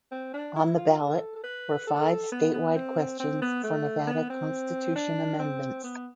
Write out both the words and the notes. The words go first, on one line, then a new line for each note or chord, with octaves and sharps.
On the ballot were five statewide questions for Nevada Constitution amendments.
C4
D4
E4
F4
A4
A4
B4
A4
B3
B3
C4
C4
B3
A3
B3
C4
D4
C4
B3